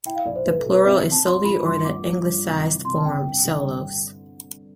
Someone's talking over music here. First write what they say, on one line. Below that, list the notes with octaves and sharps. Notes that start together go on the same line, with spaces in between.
The plural is "soli" or the anglicised form "solos".
E4 G5
F5
B1 D5
C5
B1 B4
A4
B2
B4
C4 E5
C4
A5
F3 C6
F3 B5
G2 C6
B3 D6
F3
G2
C3
E3
C3 C6
A5
C3 G5
G1
D3
G1